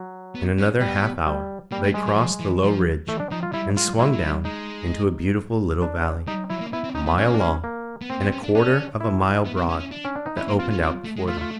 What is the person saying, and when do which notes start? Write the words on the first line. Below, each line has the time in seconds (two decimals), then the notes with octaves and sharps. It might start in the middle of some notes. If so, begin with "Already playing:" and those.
In another half hour they crossed the low ridge and swung down into a beautiful little valley, a mile long and a quarter of a mile broad that opened out before them.
Already playing: F#3
0.35 B3
0.59 C#4
0.80 G3 B3
1.26 G3
1.71 G3 A#3
1.84 A3
1.94 G3 G#3
2.06 F#3
2.18 F3
2.40 E3
2.64 F3
3.08 E3 A3
3.20 D4
3.31 F3 D#4
3.43 F4
3.53 G3 E4
3.76 G#3 F4
3.99 G#3 E4
4.13 F#3
4.23 G3
4.45 G#3 D#4
5.82 D4
6.27 G3 D#4
6.50 F#3 E4
6.61 A#3
6.73 B3 E4
6.84 C4
6.95 C#4 D#4
7.06 B3
7.18 A#3 C#4
7.34 D4
7.40 C#4
7.64 A#3
8.02 B3
8.10 A#3 C4
8.20 B3
8.32 C#4
8.43 D4
8.55 C#4 D4
9.01 E4
9.46 B3
9.57 C4
9.69 C#4
9.79 C#4
9.91 D4
10.05 C#4
10.16 D4
10.26 D#4
10.37 C#4 E4
10.48 A#3
10.59 C4 F4
10.71 C#4
10.83 C4
11.04 A3
11.17 G#3
11.28 A3 F4
11.41 F4